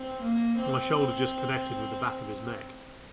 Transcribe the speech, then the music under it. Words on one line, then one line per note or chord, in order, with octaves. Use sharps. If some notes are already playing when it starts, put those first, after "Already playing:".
My shoulder just connected with the back of his neck.
Already playing: C4
A#3
C4